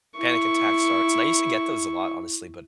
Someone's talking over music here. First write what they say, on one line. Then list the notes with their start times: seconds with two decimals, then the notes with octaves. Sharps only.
panic attack starts, and I used to get those a lot, honestly, but
0.17 E4 C#6